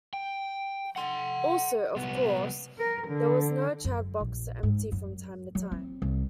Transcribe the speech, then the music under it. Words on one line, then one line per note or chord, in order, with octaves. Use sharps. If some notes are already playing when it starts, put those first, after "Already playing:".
Also, of course, there was no "chad box" to empty from time to time.
G5
F#5 C6
C2 B3
A#4
D3
F#2
A#1
G#2
F#2
F#3
C4
C2